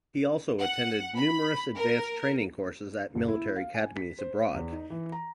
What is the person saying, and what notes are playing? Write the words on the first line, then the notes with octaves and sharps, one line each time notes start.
He also attended numerous advanced training courses at military academies abroad.
F#5
B5
A#4
F#1
E4
F5
G#5
B6
C5
E2
D#4
E3
A#5